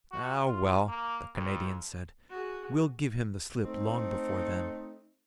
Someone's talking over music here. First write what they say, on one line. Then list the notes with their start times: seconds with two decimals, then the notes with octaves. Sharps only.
"Oh well," the Canadian said, "we'll give him the slip long before then."
0.12 F#4
0.47 F4
0.88 A#3
1.34 F2
2.30 F#4 G#4
3.65 A3 C4 D#4